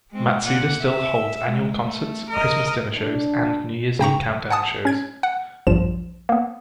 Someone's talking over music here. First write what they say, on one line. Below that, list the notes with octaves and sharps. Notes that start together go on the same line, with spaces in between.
Matsuda still holds annual concerts, Christmas dinner shows and New Year's Eve Countdown shows.
G#3 C4
A#2 F#5
E5
G#3
A3
A#4 D#5
D4
C#3 G5 A#5 C#6
F#5 G#5 A5 D#6
C#4 G#6 D7
F#5
A#1 E2 G2 F3 E7
A#3 B3